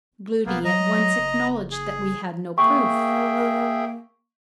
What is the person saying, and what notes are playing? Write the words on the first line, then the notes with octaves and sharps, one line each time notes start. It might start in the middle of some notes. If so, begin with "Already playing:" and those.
Gloody at once acknowledged that we had no proof.
E1 A#3 B3
F#3 D#5 A#5
F#1
G#4
A#3 G#4 E5 G5 C#6